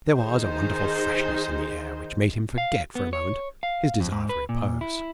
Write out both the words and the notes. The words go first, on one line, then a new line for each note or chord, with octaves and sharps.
There was a wonderful freshness in the air which made him forget for a moment his desire for repose.
D#3 D#4 G#4 C5
F5
B3
C#5
F5
F2
G#2
B4
A#2
E4